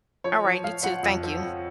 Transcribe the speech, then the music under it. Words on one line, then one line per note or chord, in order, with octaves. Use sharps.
All right, you too. Thank you
F3 C#5
F3
F3 F5
F3 F#5
F2
F3
F2